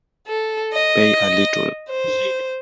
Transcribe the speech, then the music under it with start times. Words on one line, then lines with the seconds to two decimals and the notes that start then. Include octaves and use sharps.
Pay a little.
0.27 A4
0.73 D#5
1.90 C5